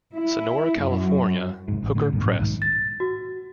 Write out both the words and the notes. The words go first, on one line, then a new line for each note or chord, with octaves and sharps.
Sonora, California: Hooker Press.
E4
F#2
F1 G#2
A1
A2 D3
B1 G2 A#2
A1 A2 F#3 C#4
B1 G#2 D#3
A6
F#4